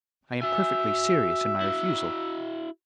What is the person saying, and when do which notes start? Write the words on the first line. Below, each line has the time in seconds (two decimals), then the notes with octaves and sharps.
I am perfectly serious in my refusal.
0.42 F#4 E5 G#5
1.61 E4 F#4